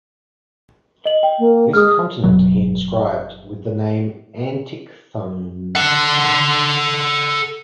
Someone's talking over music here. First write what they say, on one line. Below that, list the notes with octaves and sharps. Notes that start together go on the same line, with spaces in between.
This continent he inscribed with the name Antichthones.
D#5 F#7
G5
A#3
G#3 D#6 F6
F#1 B2 F#3
A4 F#5